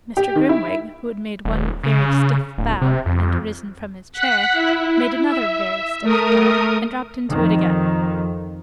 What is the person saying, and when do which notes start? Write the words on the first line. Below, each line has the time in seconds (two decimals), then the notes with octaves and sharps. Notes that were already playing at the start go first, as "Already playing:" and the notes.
Mr. Grimwig, who had made one very stiff bow, and risen from his chair, made another very stiff bow, and dropped into it again.
0.17 G4
0.36 D#3
0.49 E4
1.45 D#1
1.83 C#3
2.58 D1
2.81 C3
3.06 F2
4.13 F#5 F#6 B6
4.52 E4
5.26 E5
6.02 A3 A#4 D#6
7.30 F2 D#3